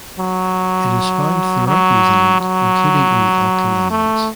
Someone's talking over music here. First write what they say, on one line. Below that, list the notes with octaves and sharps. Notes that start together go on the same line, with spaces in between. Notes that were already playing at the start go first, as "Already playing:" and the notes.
It is found throughout New Zealand including in the Auckland Islands.
F#3
F#3
F#3
A3